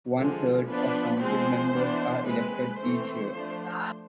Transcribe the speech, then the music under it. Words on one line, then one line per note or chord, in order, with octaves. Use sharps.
One third of council members are elected each year.
D3 F3 G#3 A4
F3 B3 D4 B4
F3 G#3 C4 C5
E3 B3 D4
G#3 C4 B4
E3 A3 C4 C5
F3 A3 D4